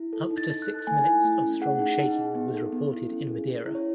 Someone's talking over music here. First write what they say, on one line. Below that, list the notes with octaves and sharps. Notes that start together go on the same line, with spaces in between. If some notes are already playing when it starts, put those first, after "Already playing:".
Up to six minutes of strong shaking was reported in Madeira.
Already playing: E4
A4
D#4
A6
D#4
F#6
A4
A3 G#5
E4
A3
C#4
G#4 F#5
D#4
D#4
G#4
B3
A4
B3
E4
C#4
G#4
C#4
E4
C#5